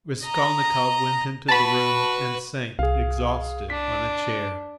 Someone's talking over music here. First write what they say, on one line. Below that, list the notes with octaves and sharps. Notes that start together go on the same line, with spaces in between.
Raskolnikov went into the room and sank exhausted on a chair.
D#5 A#5
F#4 B4 A5 B5
C2 G#4 F5
D4 B6